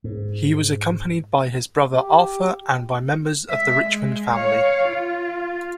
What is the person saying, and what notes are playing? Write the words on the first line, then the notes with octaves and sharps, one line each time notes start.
He was accompanied by his brother Arthur and by members of the Richmond family.
G#2
G4
G#3 E5
G#3
C#5 F5
F4